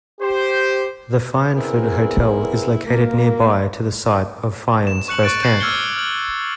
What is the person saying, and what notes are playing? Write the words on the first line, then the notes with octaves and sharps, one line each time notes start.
The Fyansford Hotel is located nearby to the site of Fyan's first camp.
G4 C5
B3 C4 E4 G#4 A#4
A#3
E7
C#6 F#6 C#7 F#7
C#6 F#6 A6 D7
C#6 G6 C7 F#7
D6 E6 F6 G#6 C#7 G7
F6 F#7